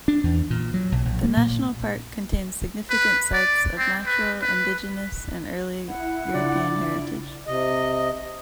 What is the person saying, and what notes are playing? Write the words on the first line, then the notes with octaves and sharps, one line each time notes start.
The national park contains significant sites of natural, indigenous and early European heritage.
D4
E2
A#2
F#3
B1
A#1
A#3
A#2
B4
D5
C4
B4
B4
E4 F#5
C#3 D4 F4 D5
C3 D#5